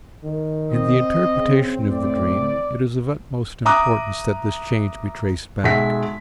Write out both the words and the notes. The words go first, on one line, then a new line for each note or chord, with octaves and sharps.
In the interpretation of the dream it is of utmost importance that this change be traced back.
D#3
C4 D#5
C#3
A2 D5
E5 A#5 D6 D#6 F#6
B1 G#3 E5 B6